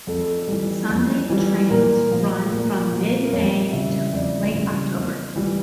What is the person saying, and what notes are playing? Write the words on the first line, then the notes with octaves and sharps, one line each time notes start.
Sunday trains run from mid-May until late October.
F2 A4
E3 G3
F2
E3 G3
A#2 A#4
F3
A#2
F3
A#4
F2 C#5
C#3 E3 G3 E5
F2 D5
C#3 E3 G3
F2
E3 G3